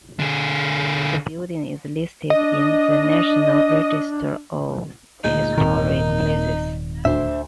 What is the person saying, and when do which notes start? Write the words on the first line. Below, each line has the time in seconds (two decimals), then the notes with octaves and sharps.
The building is listed in the National Register of Historic Places.
0.19 D3 G#4
2.30 D4 D#5
5.24 D2 A#2 G#3 D#4
5.57 D#1 G#1 A#2 D#3 A#4
7.05 D2 D4 C5 E5